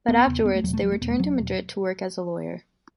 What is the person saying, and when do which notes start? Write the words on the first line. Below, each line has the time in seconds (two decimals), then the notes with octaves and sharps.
But afterwards they returned to Madrid to work as a lawyer.
0.08 E1 B3
0.27 E2 C#3
0.45 E1 B3
0.55 A3
0.64 E2 F#3
0.68 B2 A3
0.82 E1 F#3
0.92 A3
1.01 E2 B2 B3
1.11 A3
1.19 E1 F#3
1.39 E2 B2